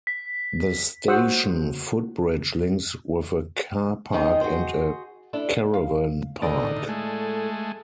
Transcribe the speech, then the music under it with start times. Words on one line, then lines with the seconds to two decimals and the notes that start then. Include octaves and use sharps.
The station footbridge links with a car park and a caravan park.
0.07 B6
1.08 F#4 C5 F#5 D#6 E6
4.12 D#3 D#4 G#4 C5
4.41 F#4 G#4 C5
5.33 D4 E4 A4
5.74 F5
6.42 A2 D3 D#4 A4 D5
6.89 G#3 A3